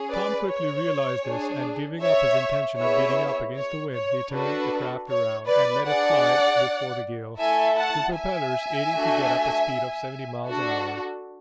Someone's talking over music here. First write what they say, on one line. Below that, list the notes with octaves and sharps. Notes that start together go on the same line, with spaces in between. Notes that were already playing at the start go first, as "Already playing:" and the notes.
Tom quickly realized this, and, giving up his intention of beating up against the wind, he turned the craft around, and let it fly before the gale, the propellers aiding to get up a speed of seventy miles an hour.
Already playing: C#4 G#4
B4 D5
C#5
D4 G#4
C#5 E5
B3 E4 G#4 C#5 E5
C#5
C#5
D4 F#4 A4 B4
C#5
B4 D5
D4 G#4 D5 F#5
A3 E4 A4 E5 G#5
F#5 A5
E5 G#5
A3 D4 F#4 A4
D4 F#4 A4